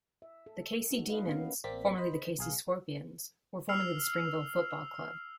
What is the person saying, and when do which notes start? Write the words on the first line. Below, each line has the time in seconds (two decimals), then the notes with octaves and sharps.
The Casey Demons, formerly the Casey Scorpions, were formerly the Springvale Football Club.
0.22 E5
0.46 A4
0.91 D#4 F#4
1.08 B4 D#5 F5
1.26 A#3 B3 C#4 F5
1.64 A1 A#3 C4 D5 B6
1.98 C5 D#5 B5
2.38 B1 G#4 F5
3.69 E6 F6 C7 F7